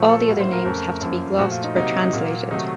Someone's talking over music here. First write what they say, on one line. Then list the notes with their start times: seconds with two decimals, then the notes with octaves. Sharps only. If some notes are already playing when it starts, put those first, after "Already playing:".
All the other names have to be glossed or "translated".
Already playing: A#2 F3 A3
0.09 A4
0.28 A2 F#3 A#3
0.40 C5
0.53 A#4
0.65 F2 C#3 A3
1.01 F#2 F3 A#3
1.38 A#2 F3 A3 F#4
1.51 F4
1.64 D#4
1.76 C3 F#3 A#3 D#4
2.13 A#2 F#3 A#3
2.50 C3 D#3 F#3 A3 D#4